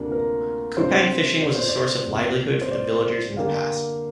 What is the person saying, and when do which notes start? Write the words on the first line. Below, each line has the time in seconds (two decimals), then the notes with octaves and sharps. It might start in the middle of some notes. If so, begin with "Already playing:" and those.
Kupang fishing was a source of livelihood for the villagers in the past.
Already playing: D2 C3 A#3 D4 F4
0.12 A#4
0.77 C3 G3 D4 F4 C5
1.42 D5
1.55 C5
1.69 D5
2.06 C2 A#2 G3
2.61 C5
2.71 D5
3.36 D3 A#3 G4 F5